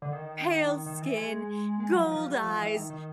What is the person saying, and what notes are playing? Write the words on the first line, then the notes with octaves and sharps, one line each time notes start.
pale skin, gold eyes,
D3
D#3
D#3
E3
G#3
G#3
F#3
F3
F3
G3
F3
E3
D#3
D#3